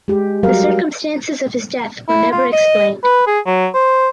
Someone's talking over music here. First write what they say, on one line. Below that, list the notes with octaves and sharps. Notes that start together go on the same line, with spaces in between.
The circumstances of his death were never explained.
G#3 G4
F#3 G3 A#4 F5
E4
F4
D#5
B4
G#4
F#3
C5